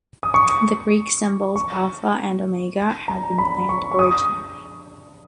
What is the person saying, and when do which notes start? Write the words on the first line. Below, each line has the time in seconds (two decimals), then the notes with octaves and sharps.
The Greek symbols "alpha" and "omega" had been planned originally.
0.23 D#6
0.34 C#6
1.56 C#6
3.08 A#5
3.38 B5
3.69 C#6
3.92 C#6
3.99 D#6